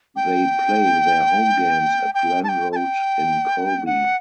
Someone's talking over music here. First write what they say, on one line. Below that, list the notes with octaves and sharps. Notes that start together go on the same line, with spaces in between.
They play their home games at Glen Road in Colby.
G5
G5
A5
G5
A5
G5
F#5